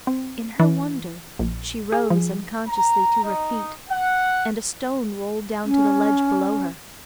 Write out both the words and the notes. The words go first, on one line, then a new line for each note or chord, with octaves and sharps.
In her wonder, she rose unconsciously to her feet and a stone rolled down to the ledge below her.
C4
E3
A#1
G#4
F3
A#5
D#4
F#5
C#4